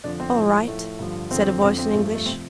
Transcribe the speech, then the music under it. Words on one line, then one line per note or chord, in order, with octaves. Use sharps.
"All right," said a voice in English.
F2 D3 F3 D4
C4
A2 F3
A2 F3 A3
G2 D3 F3
F2 D3 F3 C4
F2 D3 F3 C4
C4
G2 F3 A3
A3
C3 F3 C4